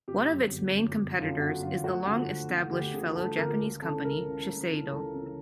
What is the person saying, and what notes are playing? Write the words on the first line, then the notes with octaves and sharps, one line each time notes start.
One of it's main competitors is the long established fellow Japanese company Shiseido.
G1 G4
F#2 D3 F#3
G1
F#2 D3 F#3
G1
F#2 D3 F#3 F4
G1 F#4
F#2 D3 F#3 F4
D2 F#4
D3 F3
D2
D3 F3
D2 G4
D3 F3 G#4
D2 A4
D3 F3 A#4
C#2
C#3 E3 A4
C#2 A#4
C#3 E3
C#2
C#3 E3
C#2 A4
C#3 E3